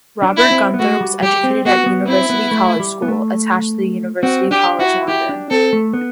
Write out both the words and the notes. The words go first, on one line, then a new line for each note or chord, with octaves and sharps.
Robert Gunther was educated at University College School, attached to University College London.
D4
E4
C4
B3
A3 F#4
G3
G3 G4
C4
B3 F#4
B3
C4 E4
B3
A3
G3
B3
A3
C4 F#4
D4 G4
E4 F#4
E4 G4
D4
C4 A4
A3
B3